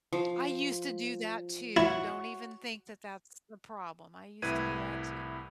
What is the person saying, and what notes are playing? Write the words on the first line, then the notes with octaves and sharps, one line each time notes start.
I used to do that too! Don't even think that that's the problem. I used to do that too.
F3
E4 F#4 C#5
C2 A2 E4 B4 G#6 D#7